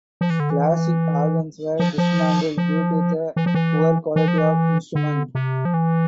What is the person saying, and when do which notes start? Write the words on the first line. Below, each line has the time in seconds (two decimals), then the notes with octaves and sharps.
Classic organs were dismantled due to the poor quality of the instrument.
0.21 F3
0.30 E3
0.40 D3
0.50 E3
1.80 F3
1.98 F3
2.57 F3
3.36 E3
3.46 F3
3.54 E3
4.16 E3
4.28 F3
4.38 E3
4.95 D3
5.35 C3
5.65 F3
5.74 E3